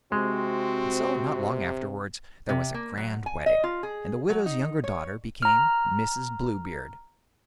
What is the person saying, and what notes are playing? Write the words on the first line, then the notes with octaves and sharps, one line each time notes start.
And so, not long afterwards, there was a grand wedding, and the widow's younger daughter became Mrs. Bluebeard.
C3 G#3 C4 F#4
C3
A#3
F#3
G#5
D#5
F4
G#4
F#3
D#4
C#5
A#5 F6